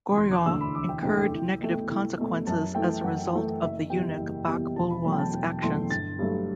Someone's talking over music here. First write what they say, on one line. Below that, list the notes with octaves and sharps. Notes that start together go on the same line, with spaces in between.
Goryeo incurred negative consequences as a result of the eunuch Bak Bulhwa's actions.
E1 C6
D6
D2 D3 A3 E6
B5
E1 D6
G5
D2 D3 A3 G5
G5
C2
B2 A3
C2
B2 A3
F#2 A5
E3 A3 G5
F#2 F#5
E3 A3
F#1 E5
E2 B2 G3 G5
F#1
E2 B2 G3
E1 A5
B5
E2 B2 F#3 A3 B5
G5
A5
E1
E2 B2 F#3 A3 C6
G1 A6
G2 F#3 A3